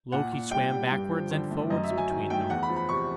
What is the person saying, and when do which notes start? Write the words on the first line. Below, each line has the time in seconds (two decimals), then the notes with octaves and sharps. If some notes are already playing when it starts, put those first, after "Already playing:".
Loki swam backwards and forwards between them.
0.12 A#2 F#5
0.32 A#2
0.51 G3 G5
0.72 G3
0.91 G2
1.11 F3
1.31 D3
1.50 A3
1.70 F#2 D#5
1.84 E5
1.90 F#3
1.98 G#5
2.10 D#3
2.30 A3 G5
2.50 E2 F#5
2.63 B5
2.69 F3
2.76 B5
2.89 C3 C#6